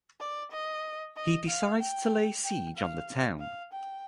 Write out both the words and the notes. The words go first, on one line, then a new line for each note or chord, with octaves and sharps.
He decides to lay siege on the town.
D5
D#5
D#5
F5
G5
G5
F5
F5
G5